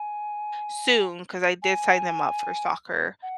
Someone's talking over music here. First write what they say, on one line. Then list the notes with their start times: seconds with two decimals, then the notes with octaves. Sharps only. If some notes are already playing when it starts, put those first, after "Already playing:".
soon 'cause I did sign them up for soccer,
Already playing: G#5
1.63 G#5
3.23 F#5